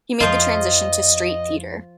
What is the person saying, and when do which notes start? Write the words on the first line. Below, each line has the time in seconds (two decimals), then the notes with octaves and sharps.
He made the transition to straight theater.
0.20 F2 F3 F4 D#5